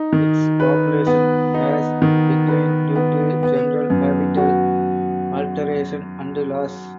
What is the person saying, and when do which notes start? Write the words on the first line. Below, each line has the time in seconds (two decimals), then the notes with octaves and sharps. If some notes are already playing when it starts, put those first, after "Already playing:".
Its population has declined due to general habitat alteration and loss.
Already playing: D#4
0.13 D#3
0.60 B4
1.07 B3
1.54 D#4
2.02 D#3
2.48 B4
2.96 B3
3.43 B3
3.90 F#2
4.37 F#4